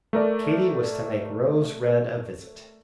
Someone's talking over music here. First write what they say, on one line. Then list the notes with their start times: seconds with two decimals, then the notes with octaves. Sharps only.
Katy was to make Rose Red a visit.
0.13 A3 A#4 D5